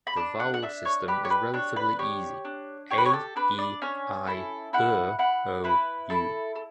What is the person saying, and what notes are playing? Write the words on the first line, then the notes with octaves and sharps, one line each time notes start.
The vowel system is relatively easy: "a", "e", "i", "ə", "o", "u".
B5
D4 A5
F#5
F#5
D4 E5
C#5
G4 B4
C#5
B4
D4 C#5
B4
G4 C#5
D4
G4 C#5
B4
C#5
A4
D4 B4
D5
C#4 C#5
E4 A4
E4 F#5
E4 F#5
E4 B4
E4 A4
A4